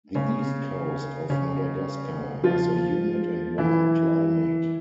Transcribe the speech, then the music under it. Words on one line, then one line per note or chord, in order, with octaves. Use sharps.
The east coast of Madagascar has a humid and warm climate.
C#3 C#4
C#3 C#4
F3 F4
E3 E4